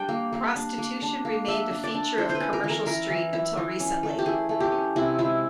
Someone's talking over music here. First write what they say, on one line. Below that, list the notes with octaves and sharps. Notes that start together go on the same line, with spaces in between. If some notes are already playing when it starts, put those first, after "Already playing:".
Prostitution remained a feature of Commercial Street until recently.
Already playing: G3 D4 G5
A#3
A#3
D4
A#3
D4
A#3
D4 E5
D4
D5
D4
E4 C5
C5
B4
C#4
A#4
E3
A#4
E4 A#4
E3
E4
E3
C#4
A3
G4
E4 G#4
A3
G4
C#4
C3 E4
G#3 E4